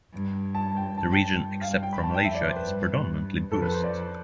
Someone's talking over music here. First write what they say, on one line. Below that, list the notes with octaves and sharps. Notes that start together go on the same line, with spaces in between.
The region except for Malaysia is predominantly Buddhist.
G2
A5
G5
G2 A5
G5
A5
F5
G5
B5
A5
G5
F2 E5
D5
C5
B4
G2
F2 A4
B4
C5
D5